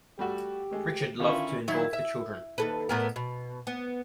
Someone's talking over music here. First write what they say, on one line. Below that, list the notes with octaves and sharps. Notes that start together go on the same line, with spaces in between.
Richard loved to involve the children.
G3 A3 F#4 G4
G#3 A3
D3 D#3 C#4 D4 E4 F4
D#3 F#3 E4
E5
D#2 A4 B4
A2 B3 A#4
B2
B3